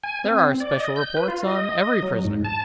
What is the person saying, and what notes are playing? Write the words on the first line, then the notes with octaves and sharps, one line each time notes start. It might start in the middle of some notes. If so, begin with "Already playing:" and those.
"There are special reports on every prisoner."
G#5
C4
D5
D#5
G6
B4
F4
D#5
F#3
G#2
A5